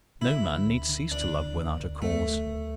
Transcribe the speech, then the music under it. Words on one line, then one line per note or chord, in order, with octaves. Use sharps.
No man need cease to love without a cause.
D3 E4
D3
D2
D3
D2 D4
D3
D2
D2
D2 A3
D2
D2